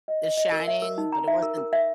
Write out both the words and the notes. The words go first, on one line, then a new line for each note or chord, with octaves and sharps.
The Shining, but it wasn't
D#5
D#5
D#5
A#4
E5
A#4
D#4
A#5
E5
A#4
A#4
E5